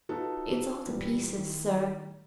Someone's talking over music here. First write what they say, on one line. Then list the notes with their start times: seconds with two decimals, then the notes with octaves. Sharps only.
'It's all to pieces, sir.
0.09 D#4 F4 F#4 A4 B4
0.86 A#2 E3 G3 B3
1.37 A2 D#3 E4